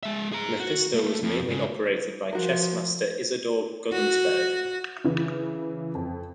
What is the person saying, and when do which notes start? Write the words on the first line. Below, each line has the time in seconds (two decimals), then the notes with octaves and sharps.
Mephisto was mainly operated by chess master Isidor Gunsberg.
0.03 G#3 E5
0.32 G#4 A#5
0.60 F#4
0.94 A3 A#3
1.23 F2
1.48 G#2 C#3
2.33 F3 F#4 A#4
3.92 F#4
5.04 C#3 E3
5.95 F2